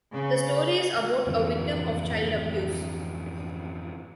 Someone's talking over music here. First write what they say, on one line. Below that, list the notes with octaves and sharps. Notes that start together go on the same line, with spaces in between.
The story is about a victim of child abuse.
C#3
F2 G#2 D3 E3